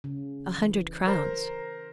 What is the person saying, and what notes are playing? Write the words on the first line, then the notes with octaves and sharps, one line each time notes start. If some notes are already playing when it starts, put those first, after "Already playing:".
"A hundred crowns."
C#3
E3
A#4 C5 A#5